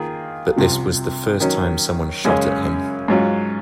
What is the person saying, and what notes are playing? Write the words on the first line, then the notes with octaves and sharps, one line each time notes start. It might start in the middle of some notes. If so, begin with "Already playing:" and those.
But this was the first time someone shot at him.
Already playing: D#3 A#3 F4 G#4
C2 C3 F3
D#3 F#3 C#4
F#2 C#3 G#3 C#4 G#4
G#2 F#3 C#4 F4